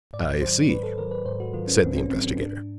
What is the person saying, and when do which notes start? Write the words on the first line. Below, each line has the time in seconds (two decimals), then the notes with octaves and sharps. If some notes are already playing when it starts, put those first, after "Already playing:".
"I see," said the investigator.
0.13 G#2 D5
0.41 D#3 F#3 C5
0.69 G#2 B4
0.83 A4
0.98 D#3 F#3 A#4
1.11 B4
1.26 G#2 C5
1.40 F#4
1.53 D#3 F#3 F4
1.67 C#4
1.81 G#2 C4
1.96 C#4
2.10 D#3 F#3 C4
2.25 C#4
2.38 G#2 D4